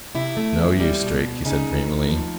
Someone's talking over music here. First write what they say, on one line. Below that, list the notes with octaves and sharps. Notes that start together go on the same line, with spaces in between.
"No use, Drake," he said dreamily.
C3 E4
A3
E2
G3
B2
B2
C#3 D#4
D2
D2
F3